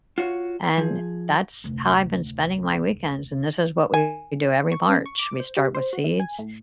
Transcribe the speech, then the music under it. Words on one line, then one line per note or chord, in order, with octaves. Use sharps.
And that's how I've been spending my weekends, and this is what we do every March. We start with seeds,
F4 F#4 C#5
F3 G#4
F1 D2
G#5
C#6
C#4
C#6
D6
C5
G4
C5
F#4
E3
G#5
A2